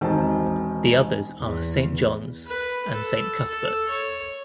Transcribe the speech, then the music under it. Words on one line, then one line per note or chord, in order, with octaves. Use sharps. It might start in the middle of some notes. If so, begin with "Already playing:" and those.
The others are Saint John's and Saint Cuthbert's.
E1 D#3 C4 A5
E2
B4
A4
A4
C#5